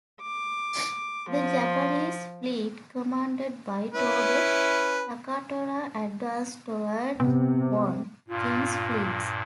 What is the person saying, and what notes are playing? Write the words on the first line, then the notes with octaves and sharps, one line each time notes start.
The Japanese fleet, commanded by Todo Takatora, advanced toward Won Gyun's fleets.
D6
F3
C#4 E4 B4
C3 B3
G2 A#2 F4